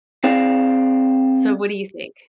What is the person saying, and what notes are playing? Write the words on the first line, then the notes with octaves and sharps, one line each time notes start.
So what do you think?
C4 G#4 C5 D5 F5